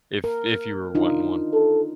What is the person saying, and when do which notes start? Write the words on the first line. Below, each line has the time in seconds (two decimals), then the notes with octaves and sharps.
if if you were wanting one.
0.24 A#4
0.95 D4 D#4 F4
1.54 A4